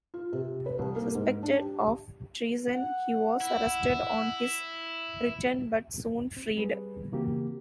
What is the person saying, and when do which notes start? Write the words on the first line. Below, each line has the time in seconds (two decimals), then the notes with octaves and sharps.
Suspected of treason, he was arrested on his return but soon freed.
0.14 F4
0.33 C3
0.66 B4
0.79 C2
0.96 A#3
1.15 G#2
1.43 D4
1.60 G4
2.66 F#5
3.41 E4
6.37 C4
6.57 G3 G#4 B4
7.12 C#3 E3 A#3 C4 F#4 G4